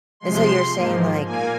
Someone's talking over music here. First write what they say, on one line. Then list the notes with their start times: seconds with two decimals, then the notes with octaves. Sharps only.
And so you're saying, like
0.20 C3 F3 G#3 C6
0.72 G#2 F3 A#3
1.25 A#2 A#3 G#5